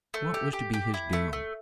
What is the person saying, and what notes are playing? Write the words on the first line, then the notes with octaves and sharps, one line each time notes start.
What was to be his doom?
A3
G4
G4
G4
E4
A3
A3